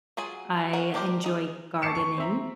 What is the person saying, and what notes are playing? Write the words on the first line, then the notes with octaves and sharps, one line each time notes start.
I enjoy gardening,
F#3 F4 G#4 G#5
A#4 C#5 F#5
A#3 D4 G4 A#4 C5
D#4 G#4
A5 C#6 D6 C7 C#7 E7
C#6
C4 E5 A#5